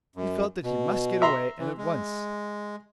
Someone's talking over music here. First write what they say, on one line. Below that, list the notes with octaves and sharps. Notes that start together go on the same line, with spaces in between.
He felt that he must get away, and at once.
F#2
B2
E5 A#5 C6
E3
G#3